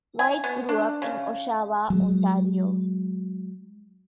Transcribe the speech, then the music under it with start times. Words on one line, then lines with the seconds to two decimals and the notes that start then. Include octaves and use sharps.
White grew up in Oshawa, Ontario.
0.19 G#5
0.44 B3
0.69 D4
1.02 C#3
1.90 F#3 G#3